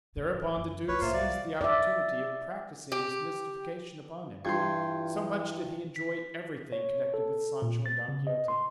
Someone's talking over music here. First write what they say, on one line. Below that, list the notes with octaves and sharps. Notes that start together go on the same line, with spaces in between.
Thereupon the duke seized the opportunity of practising this mystification upon him; so much did he enjoy everything connected with Sancho and Don Quixote.
A2
F#2
B1 F4 B4 C#5
C2 A2 A#3 F4 C5 E5
D5 F5
D5 E5
G4
G2 E3 G3 F4 G4 C6 G6 G#6
B6
C#5
A4
A#2
A6
C#3
D#5
C6